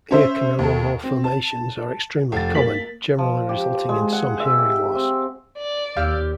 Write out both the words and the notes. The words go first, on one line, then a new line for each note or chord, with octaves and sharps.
Ear canal malformations are extremely common, generally resulting in some hearing loss.
C#4 C5 E5
D#2 A4
C4
A5
F1 A6
A#3 B6 F#7
F3
G4
G#3
F#5
E5
G4
C4
D5
D#2 G4 F5 E6 F6